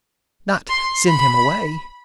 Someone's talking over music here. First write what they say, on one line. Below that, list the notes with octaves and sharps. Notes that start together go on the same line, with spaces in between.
"Not--send him away?"
C6
B5